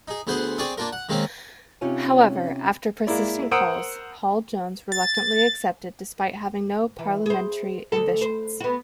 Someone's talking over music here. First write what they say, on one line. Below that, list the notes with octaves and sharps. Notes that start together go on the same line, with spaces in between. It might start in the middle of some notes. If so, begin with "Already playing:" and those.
However, after persistent calls, Hall-Jones reluctantly accepted despite having no parliamentary ambitions.
D#4 G#4
D2 B3 G#4 C5 F#5 C6
C4 G#4 D5 C#6 D#6
A#3 D4 F4 A#4
F#5
D#3 G#3 A#3 C4 C#4
C3 C#4 D#4 F4 C#5 G#5
G#3 A#3 E4 D5
A#4 C5 F#5 D#6 E6 D7
A6
E3
G#4 C5
D2 A4
C5
B3 F#4